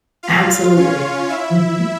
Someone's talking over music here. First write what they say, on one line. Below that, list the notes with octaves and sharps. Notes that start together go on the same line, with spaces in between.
Absolutely. Mhm.
F4 F5
C#4 C#5
E4 E5